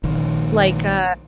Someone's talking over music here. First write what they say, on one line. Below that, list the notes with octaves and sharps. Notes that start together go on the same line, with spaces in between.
like, uh
A#1 D#3